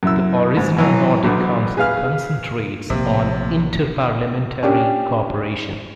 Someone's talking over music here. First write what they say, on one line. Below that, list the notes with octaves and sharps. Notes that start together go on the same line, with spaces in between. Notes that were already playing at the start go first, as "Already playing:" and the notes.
The original Nordic Council concentrates on inter-parliamentary cooperation.
F#2 E4 E6
G#2
B2 E3 F#3
B1 D3 D6
G#4 B4 F5 F6
A#1 C3 A#3
C#4 D4 G4